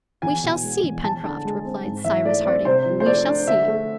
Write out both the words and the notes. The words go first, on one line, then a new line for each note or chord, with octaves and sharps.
"We shall see, Pencroft," replied Cyrus Harding; "we shall see."
E2 G#5
B2
G#3
E2
E2 A5
D3
G#3
C4
G#2
E3 E5
A3 D5
C4 D5
C3 C5
F3
C5
A3 D5
D4
D3 E5
A3